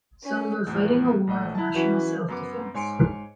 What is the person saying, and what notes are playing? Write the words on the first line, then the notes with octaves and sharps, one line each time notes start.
So we were fighting a war of national self-defence.
C#4
E2 A2 F3
A#1 A3 D#5 F#5
E4 A5
E3 F#3 C#4 E4 F#4 B4
F#2 B3 D6
G#2 C#5 G#5 C6 C#7 D7